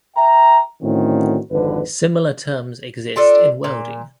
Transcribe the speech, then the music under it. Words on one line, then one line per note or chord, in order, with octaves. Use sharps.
Similar terms exist in welding.
E5 G5 A#5
A2 D3 D#3 C4 C#4 F#4
G#1 F2 D3 B4
D4 F4 A4 D5
A#2